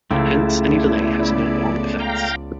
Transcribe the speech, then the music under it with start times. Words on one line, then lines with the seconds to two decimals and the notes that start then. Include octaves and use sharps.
Hence any delay has knock on effects.
0.11 C#2 A3 E4 G5
0.67 C#3 B3 D5
2.00 F5 G5 A#5